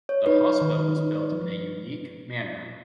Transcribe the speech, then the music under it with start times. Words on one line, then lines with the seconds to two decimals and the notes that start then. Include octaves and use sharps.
The hospital was built in a unique manner.
0.09 C#5
0.26 D#4 B4
0.61 D#3
0.97 D#4
1.32 F3